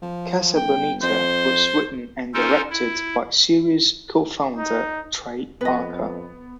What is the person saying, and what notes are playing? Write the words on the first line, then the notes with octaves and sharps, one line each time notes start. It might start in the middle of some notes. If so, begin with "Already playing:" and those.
"Casa Bonita" was written and directed by series co-founder Trey Parker.
F3
G1 G5
F2 C5
C#4 D#4 F4 A4 A#4 C5
E4
D#4
F2 B3 B4 D#5